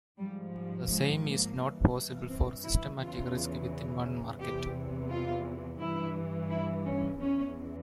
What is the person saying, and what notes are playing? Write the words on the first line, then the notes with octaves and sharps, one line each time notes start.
The same is not possible for systematic risk within one market.
G#2 F3 G3
G3
G#3
A#3
G2 E3
C4
E4
E2 C#3 E3 F4
E2 C3 E3 G4
F4
G2 E3 E4
E4
C#4
E2 E3 C#4